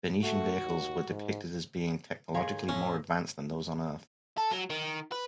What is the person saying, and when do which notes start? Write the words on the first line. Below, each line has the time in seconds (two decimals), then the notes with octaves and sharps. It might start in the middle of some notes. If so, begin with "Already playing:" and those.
Venusian vehicles were depicted as being technologically more advanced than those of Earth.
0.23 A3 F#4
0.60 D#2
1.08 G#2
2.35 D#3 G4 G#4 C#5 F5 C6
2.69 A2 C#4
4.37 A4
4.51 F#3
4.70 D#3
5.12 B4